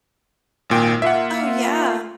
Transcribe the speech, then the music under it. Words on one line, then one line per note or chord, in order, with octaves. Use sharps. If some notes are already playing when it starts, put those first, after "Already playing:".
Oh, yeah.
G#1 A#2 G5
A#3 F4 E5 F#5